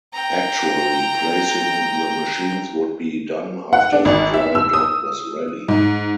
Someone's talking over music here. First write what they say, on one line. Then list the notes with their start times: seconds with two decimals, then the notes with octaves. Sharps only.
Actually placing the machines would be done after the dry dock was ready.
0.13 G5 A#5
3.73 F#5
3.92 D4
4.05 G#1
4.34 E5
4.55 E6
4.73 D#6
5.68 G#2